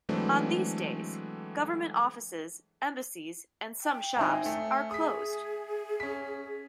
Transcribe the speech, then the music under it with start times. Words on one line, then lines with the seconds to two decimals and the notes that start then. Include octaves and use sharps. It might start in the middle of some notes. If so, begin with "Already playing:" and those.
On these days, government offices, embassies and some shops, are closed.
0.09 E3 F#3 G#3 A3 C4 D4
3.83 G5
4.17 G#1 C4 D#4 E5 G#5
4.46 A3
4.91 G#4 D#6 B6
6.00 C#4 B6